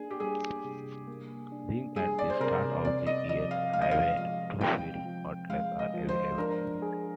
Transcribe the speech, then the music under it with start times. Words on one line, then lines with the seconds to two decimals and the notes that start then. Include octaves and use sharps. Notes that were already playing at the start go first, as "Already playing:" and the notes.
Being at the start of the Eyre Highway, two fuel outlets are available.
Already playing: A#3 D4 G#4
0.11 G4
0.20 G3 G#4
0.64 C3
1.08 A#3
1.52 D4
1.96 G3 G#4
2.19 D5
2.30 C5
2.41 C3 A#4
2.85 C4 D5
3.06 D#5
3.29 F3 D#5
3.51 F5
3.73 G#3 F5
3.82 D#5
3.91 F5
4.17 F3 F5
4.61 C4 G5
5.05 F3
5.50 G#3 F5
5.79 D#5
5.94 F3
6.09 C5
6.38 D4 A#4
6.82 G#4